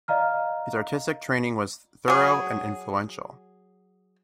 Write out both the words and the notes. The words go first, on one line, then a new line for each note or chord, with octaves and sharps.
His artistic training was thorough and influential.
D5 D#5 F5 A#5 F6
F#3 G#4